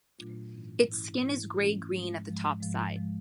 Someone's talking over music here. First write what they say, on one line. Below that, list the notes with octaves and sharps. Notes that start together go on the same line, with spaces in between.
Its skin is grey-green at the top side.
A#2 F#3 A3 D4 F4
G#2 E3 A3 C#4 E4
G#2 E3 A3 C#4 E4
G#2 E3 A3 C#4 E4
G#2 E3 A3 C#4 E4
G#2 F3 G#3
G#2 F3 G#3
G#2 F3 G#3
F3 G#3